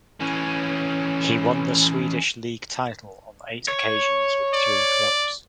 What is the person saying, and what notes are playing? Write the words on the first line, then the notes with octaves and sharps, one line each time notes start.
He won the Swedish League title on eight occasions with three clubs.
E3 C#4
C#5
D5